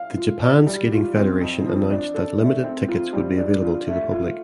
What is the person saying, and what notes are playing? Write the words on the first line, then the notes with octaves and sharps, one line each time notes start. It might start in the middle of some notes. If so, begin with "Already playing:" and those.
The Japan Skating Federation announced that limited tickets would be available to the public.
Already playing: F5
F4
D5
G3
F4
C4
F2
F3
D4
A4
A3
C4
F4
G3
D4
F4
A3
F4